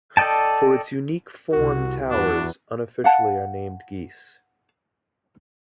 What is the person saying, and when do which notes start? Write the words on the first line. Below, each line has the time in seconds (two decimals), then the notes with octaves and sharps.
For its unique form towers unofficially are named "geese".
0.17 A4 D5 D#5 G5 A5
1.53 C2 F#4
2.11 E2 B3 D4 F#4
3.04 F5 F#5 A5